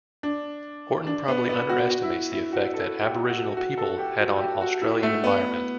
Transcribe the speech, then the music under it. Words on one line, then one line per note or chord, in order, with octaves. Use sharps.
Horton probably underestimates the effect that Aboriginal people have had on Australian environment.
D4
D4
B3
B3
F#4
F#4
E4
F#4
E4
F#4
A4
G4
F#4
F#4
A4
G4
F#4
G4
F#4
E4
A3
B3